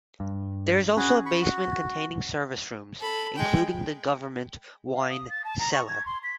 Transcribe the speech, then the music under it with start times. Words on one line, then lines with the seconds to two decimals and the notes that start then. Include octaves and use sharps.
There is also a basement containing service rooms, including the government wine cellar.
0.20 G2
0.97 C#4 F#4 G#4 B4
1.26 B5 C#6
1.41 F#4
3.00 A4 B5
3.36 G#3 G5
4.93 F5
5.10 D#6
5.30 A6
5.44 A5
5.59 A#5
5.73 C#6
5.88 G#6
6.06 C6
6.23 B6